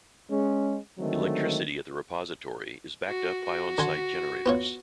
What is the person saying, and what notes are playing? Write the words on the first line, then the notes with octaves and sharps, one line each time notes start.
Electricity at the repository is backed up by on-site generators.
G#3 C#4
D3 D#3 F#3 G#3 A3 C4
F#4
F#4
D3 G#5 C6
B3 F4 C#5